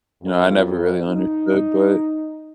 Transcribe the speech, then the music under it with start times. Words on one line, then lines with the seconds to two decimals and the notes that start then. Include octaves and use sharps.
You know, I never really understood, but
0.22 F2
1.07 D#4